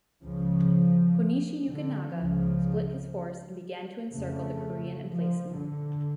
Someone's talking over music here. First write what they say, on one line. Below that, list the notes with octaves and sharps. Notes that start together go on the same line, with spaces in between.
Konishi Yukinaga split his force and began to encircle the Korean emplacement.
C#2 C#3 F3
D3
C#2 C#3 F3
F2 C#3 A3
F3
D3